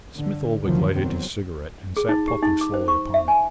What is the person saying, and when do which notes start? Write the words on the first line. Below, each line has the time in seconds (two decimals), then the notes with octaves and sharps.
Smith-Oldwick lighted his cigarette and sat puffing slowly upon it.
0.15 G2 D3
0.64 D2 C3 D#3 F3 F#3
0.97 E2 F#3 C4
1.97 G#4
2.09 D#4
2.28 G4
2.43 D#4
2.61 D6
2.74 C5
2.88 C#6
3.14 E5
3.28 G#5